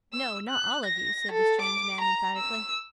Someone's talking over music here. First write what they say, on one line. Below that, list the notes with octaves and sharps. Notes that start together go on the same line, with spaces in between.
'No, not all of you,' said the strange man emphatically.
E6
F#6
A#6
A4
D6
A#5
E6